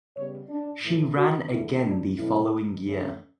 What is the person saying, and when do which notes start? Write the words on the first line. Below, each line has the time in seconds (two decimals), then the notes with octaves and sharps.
She ran again the following year.
0.16 C#3 G3 B3 C#5
0.50 D4
0.83 A2 E3 A3
1.17 F#4
1.50 E2 D3 A3 E4
1.84 D4
2.18 B2 F#3 A3 C#4 E4
2.86 G2 D3 A3 C#4